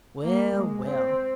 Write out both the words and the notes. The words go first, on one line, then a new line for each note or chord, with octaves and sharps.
Well, well.
A#3
G#3
C4